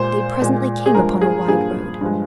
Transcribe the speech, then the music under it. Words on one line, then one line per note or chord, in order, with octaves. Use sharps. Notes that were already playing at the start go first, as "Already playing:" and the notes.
They presently came upon a wide road.
Already playing: A#2 G#3 C5
A#2 G#3
G#4
G2 F3 G#3 A#4
G#4
G2 F3 A#3 G#4
G2 F3 G#3